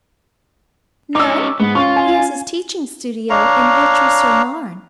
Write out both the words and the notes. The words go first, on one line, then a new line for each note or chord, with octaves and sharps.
'No; he has his teaching studio in Vitry-sur-Marne.
C#4 D#4 D6 E6
G#2 B3
C#4 F4 C#6
G#5
D4 C#5 F5 A#5